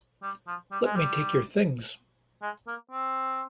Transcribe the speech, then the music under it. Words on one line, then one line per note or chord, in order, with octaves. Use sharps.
Let me take your things.
G3
F3
G3
G#3
G3
G#3
A#3
C4